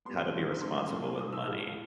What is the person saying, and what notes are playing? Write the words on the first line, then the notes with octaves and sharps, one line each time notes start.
How to be responsible with money.
A#2 G3 B3 C6
G#2 D#3 F#3
F#2 C#3 F#3 A3 C6
A#2 F#3 A3
D6
G#2 F3 A3 D#6
E6
A2 F3 G#3 F6